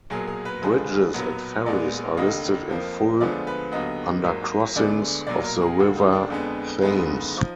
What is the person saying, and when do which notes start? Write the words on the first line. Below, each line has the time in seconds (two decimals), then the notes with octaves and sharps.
Bridges and ferries are listed in full under Crossings of the River Thames.
0.10 B1 A#2 F#3 A#3 G#4
0.27 G#4
0.45 B4
0.62 F#1 F2 D3 F3 G#3
1.14 B1 A#2 F#3 B3
1.66 A#1 A#2 G#3 B3 D5
2.17 F1 D#2 D3 D#5
2.69 F2 F3 A#3
3.21 D2 D3 F3 G#3 B3 D5
3.47 B4
3.72 D#2 D3 F#3 B3 D#5
4.24 G#1 G#2 F#3 A#3
4.75 D2 D3 G#3 B3 D5
5.27 B1 A#2 F#3 A#3 D5
5.44 A#4
5.62 G#4
5.79 F1 D#2 D3 F#4
5.96 D#4
6.13 D4
6.30 F2 D3 G#3 B3
6.82 F#1 F#2 D3 G#3 B3 D#4
7.37 F3